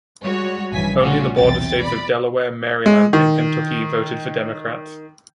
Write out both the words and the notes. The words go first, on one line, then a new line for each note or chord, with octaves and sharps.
Only the border states of Delaware, Maryland, and Kentucky voted for Democrats.
G3 G#3 F#4 C#5
A#1 G2 C#3 E3 G#5 B6
G3 A3 C#4 F4 F#4
B1 E2 C3 G5 A6
D5 B5
G#3
D#3